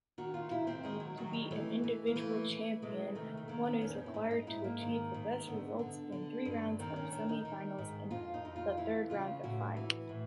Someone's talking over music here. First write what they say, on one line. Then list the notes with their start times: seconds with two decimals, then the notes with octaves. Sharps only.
To be an individual champion, one is required to achieve the best results in the three rounds of semi-finals and the third round of finals.
0.18 D#3 F#4
0.34 F4
0.50 D#3 E4
0.67 C4
0.83 D#3 G#3
1.00 F#3
1.17 D#3 F#3
1.33 G3
1.51 E3 A3
1.84 E3
2.07 A#3
2.16 E3 A3
2.49 E3
2.82 C3 G#3
3.15 D#3 A3
3.37 A3
3.48 D#3 A#3
3.65 B3
3.81 F2 C#4
3.90 C4
3.98 C#4
4.06 E4
4.14 G#2 D#4
4.31 D#4
4.47 G#2 E4
4.64 A#3
4.81 D#3
5.14 G#2
5.47 D3 B3
5.79 D3
6.12 D3
6.45 G2
6.79 D#3 C4
6.96 C#4
7.12 D#3 D4
7.29 D#4
7.45 D#3
7.78 G#2
8.10 F2 F4
8.34 D#4
8.45 F2
8.56 F4
8.77 E3 E4
9.10 C#3 F4
9.44 A2 F#4
9.77 E3
10.09 A2